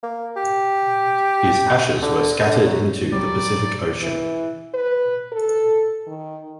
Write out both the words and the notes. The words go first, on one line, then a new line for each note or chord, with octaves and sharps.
His ashes were scattered into the Pacific Ocean.
A#3
G4
D3
D3
F#3
F#3 G3 D5
E3
B4
A4
D#3